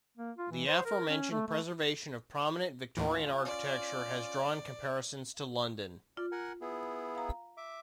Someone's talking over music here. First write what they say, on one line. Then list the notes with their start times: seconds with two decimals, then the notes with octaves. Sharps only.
The aforementioned preservation of prominent Victorian architecture has drawn comparisons to London.
0.17 A#3
0.38 F4
0.51 E3
0.67 C5
0.85 A#4
1.09 C#4
1.31 A3
1.48 A3
2.97 D#2 A2 E3 C#4 F4
3.45 D5
6.17 F4 D5
6.32 A#4 F#5 G#5
6.61 B3 E4 G#4
7.15 F5 A#5
7.57 E5 D6